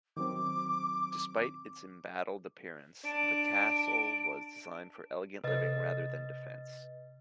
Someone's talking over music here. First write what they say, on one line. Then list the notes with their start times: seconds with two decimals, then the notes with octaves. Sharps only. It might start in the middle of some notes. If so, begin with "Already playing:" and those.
Despite its embattled appearance, the castle was designed for elegant living rather than defence.
0.17 D#3 F#3 C4 D6
3.05 D4 D7
5.44 C3 A4 B4 D#5 A6